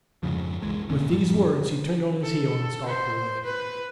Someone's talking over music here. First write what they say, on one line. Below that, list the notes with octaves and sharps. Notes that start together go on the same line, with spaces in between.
With these words he turned on his heel and stalked away.
F2 G#2 C#3 F3
C2 E3 G#3
F#1 E2 A#2 C#4
F#2 A2 F3 G3
A4
C5
B4